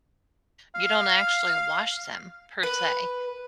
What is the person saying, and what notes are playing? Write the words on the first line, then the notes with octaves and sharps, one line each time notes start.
you don't actually wash them per se,
F5
B4